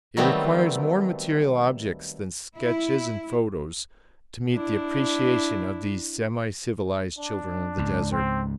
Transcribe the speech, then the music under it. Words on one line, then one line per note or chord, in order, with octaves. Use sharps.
It requires more material objects than sketches and photos to meet the appreciation of these semi- civilized children of the desert.
D#3 F#3 G3 A3 B3 C4
E4
D4 E4
D4
C#2 G#2
C4